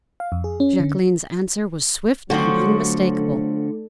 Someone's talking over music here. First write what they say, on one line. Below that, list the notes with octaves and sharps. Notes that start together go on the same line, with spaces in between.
Jacqueline's answer was swift and unmistakable.
F5
F2
G#4
C#4
D3
D3 F3 F#3 A3 C4 F#4